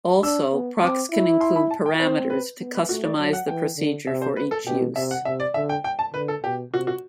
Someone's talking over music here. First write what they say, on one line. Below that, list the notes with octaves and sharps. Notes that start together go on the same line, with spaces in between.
Also, procs can include "parameters" to customize the procedure for each use.
D4 E6
B3
C4 D6
E4
C6
B5
A5
G5
C4 C5
B4
B3
B4
A3 F#4
D5
F#3
F#5
E3 G5
D3
C3 E5
C5
B4
A4
B2 G4
C3 E5
F#5
C3 E5
D5
D3 E5
G5
G5
A5
D3 B4
A4
B2 G4
C3 F#4
F#4